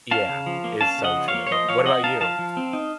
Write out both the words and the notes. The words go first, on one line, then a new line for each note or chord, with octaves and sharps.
Yeah, it's so true. What about you?
C#4 F5 A5
C#3
F3
A#3
C#4 F5 A5
C#3
D#5 F#5
F3
C#5 F5
A#3
C#5
F3 C5 D#5
F3 C#5 F5
C4 D#5 F#5
D#4 F5 A5
F3 F5 A5
F3
C4
D#4